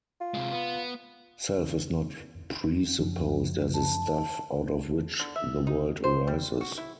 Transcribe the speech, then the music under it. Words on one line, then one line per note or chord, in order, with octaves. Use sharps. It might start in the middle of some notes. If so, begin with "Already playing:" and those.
Self is not presupposed as a stuff out of which the world arises.
F4
C3 G#3
B3
F#2 F3 D4
A5
D3
E5
D#4
C5
G3
F#4
E4